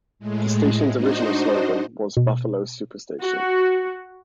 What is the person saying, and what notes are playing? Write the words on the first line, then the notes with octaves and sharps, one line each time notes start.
The station's original slogan was "Buffalo's Superstation".
A2 G#3
D4 D#4 F#4 C5 D#5
B2
F#4